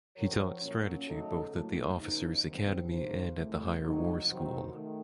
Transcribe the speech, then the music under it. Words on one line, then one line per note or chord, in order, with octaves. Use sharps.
He taught strategy both at the officers’ academy and at the Higher War School.
F3 C4 F#4 A#4 C#5
A#2 F#3 A#3 C#4
C#3 F#3 A3 D#4 A4
A2 F#3 A#3
C#3 F3 A#3 D#4
D#2 C#3 F#3 C4
D#3 A#3 F4 C5
C2 A#2 F3 A3
F2 C3 F#3 A3 D#4
C3 D#3 F#3 C4 F#4
D#3 A3